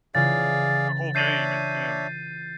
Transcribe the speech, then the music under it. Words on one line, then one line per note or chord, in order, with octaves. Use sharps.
the whole game and and
C#3 E3 F4 G#4 D5 F5 A6
D4 C#5 E5 G6 C7 D#7